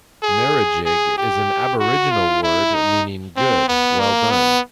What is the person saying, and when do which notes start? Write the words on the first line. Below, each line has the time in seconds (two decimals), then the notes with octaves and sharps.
Merrijig is an Aboriginal word meaning "good, well done".
0.23 G#4
0.86 G#4
1.18 G4
1.80 F#4
2.11 F4
2.43 E4
2.75 D#4
3.37 C4
3.69 B3
4.00 A#3
4.31 B3